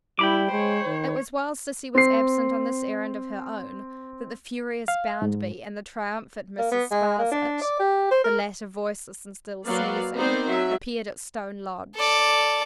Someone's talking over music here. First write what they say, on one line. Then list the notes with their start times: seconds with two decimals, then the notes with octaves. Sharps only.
It was while Sissy was absent on this errand of her own that the furious Bounderby and the triumphant Mrs. Sparsit, the latter voiceless and still sneezing, appeared at Stone Lodge.
0.19 G3 E4 G5 B5 D6
0.51 G#3 C5 C#5
0.86 D#3
1.95 C4 C7
4.88 F5
5.22 G#2
6.59 A#3
6.72 B3
6.91 G#3
7.19 A#3
7.32 D4
7.61 D5
7.80 G4
8.11 C5
8.24 A#4
9.66 F#3 A#3 B4 D5 F5
10.15 B3 C4 D#4 A#4 C5 D5
10.48 F#3 E5
11.95 A4 D5